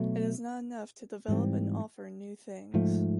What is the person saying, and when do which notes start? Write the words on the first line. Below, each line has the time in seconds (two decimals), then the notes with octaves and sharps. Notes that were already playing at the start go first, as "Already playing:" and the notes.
It is not enough to develop and offer new things.
Already playing: B2 F#3 A3
1.28 G#2 E3 G3 C4
2.74 G#2 F3 A3